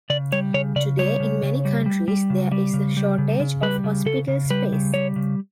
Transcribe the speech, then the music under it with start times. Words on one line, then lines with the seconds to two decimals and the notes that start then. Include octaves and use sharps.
Today in many countries there is a shortage of hospital space.
0.10 C#3 D5
0.32 G3 C#5
0.54 C#3 C#5
0.76 C#3 D5
0.99 G3 C#5
1.20 C#3
1.43 C#3
1.65 G3
1.86 G3
2.08 G3
2.30 C#3
2.52 G3
2.74 C#3
2.97 G3
3.18 C#3
3.40 C#3
3.62 G3 B4
3.84 C#3
4.06 C#3 A4
4.28 C#3
4.50 G3 B4
4.73 C#3
4.94 G3 C#5
5.16 C#3